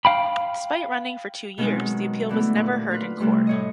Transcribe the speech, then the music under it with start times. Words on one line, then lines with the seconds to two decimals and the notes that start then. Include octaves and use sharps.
Despite running for two years, the appeal was never heard in court.
0.05 F5 G5 B5
1.58 B2 D#3 F#3 G#3 C4
2.29 D3 E3 A3 B3
2.55 A#2 B4
2.91 F4 B4
3.20 C3 E3 G3 A3
3.47 A2 C#5 D#5